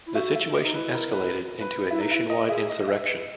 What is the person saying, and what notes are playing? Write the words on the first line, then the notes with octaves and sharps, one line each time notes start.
The situation escalated into a nationwide insurrection.
E4
F#4 E5
E5
D#5
D#4
E4 B4
A#4
B4
B4
E4 E5
D#4
E4 E5
D#5
G#4 E5
D#5
E5
B4